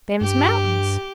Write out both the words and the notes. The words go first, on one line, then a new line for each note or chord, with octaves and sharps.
"Them's mountains."
G2 G4